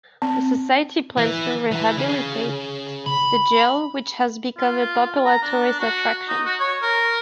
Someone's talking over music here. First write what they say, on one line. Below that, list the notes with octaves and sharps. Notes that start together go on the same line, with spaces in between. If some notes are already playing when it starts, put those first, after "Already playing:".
The society plans to rehabilitate the jail, which has become a popular tourist attraction.
C4
E3
E3
C#3
B5
F4
A#5
D4
F#4
D#4
F#4
C#5
A#4